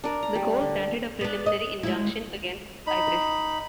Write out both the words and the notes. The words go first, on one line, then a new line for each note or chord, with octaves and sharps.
The Court granted a preliminary injunction against Cypress.
D4 A#4
A#5
G3
D3
B3 D4
D#5
G#3 E4
D#4 B5